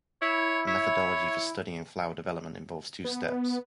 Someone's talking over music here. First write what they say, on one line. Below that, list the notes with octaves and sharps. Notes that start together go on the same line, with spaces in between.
The methodology for studying flower development involves two steps.
E4 C#5
E4 C#5
B3